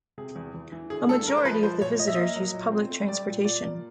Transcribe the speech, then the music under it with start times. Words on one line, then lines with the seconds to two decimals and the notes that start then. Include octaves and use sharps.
A majority of the visitors use public transportation.
0.18 C3 G#4
0.36 E2
0.54 E2
0.72 E3
0.90 D3 G#4
1.09 G2 A4
1.27 G#3 A#4
1.37 C5
1.45 F3 B4
1.63 F3 C5
1.82 A#2 C#5
1.99 A#2 D#5
2.07 E5
2.16 A#3 D#5
2.36 F#3
2.54 A#2
2.72 C4
2.90 A3
3.08 G3 D5
3.26 A#2
3.45 A#2 D5
3.63 A#3